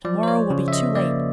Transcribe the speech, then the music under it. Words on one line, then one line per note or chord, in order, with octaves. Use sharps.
"To-morrow will be too late."
F3 D5
C5
C#5
C#3
E5
D#5
A#3 D5